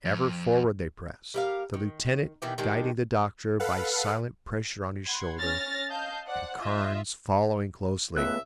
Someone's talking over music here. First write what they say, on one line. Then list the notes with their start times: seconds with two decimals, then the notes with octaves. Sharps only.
Ever forward they pressed, the lieutenant guiding the doctor by silent pressure on his shoulder and Carnes following closely.
0.05 F2
1.34 G3 A#4 F5
1.74 D#3
2.42 B2 D#3 E3 G4
2.58 D#3 G3 G#3 D4
3.60 A4 B4 F5 F#5
5.05 F#5 B5 C6 G#6
5.38 C#4 F6 A6 A#6
5.89 D#5 F5 A5 G6
6.27 C5 D5 F#5
6.59 F4 D#5 E5
8.17 C#2 A3 B3 E5 F#6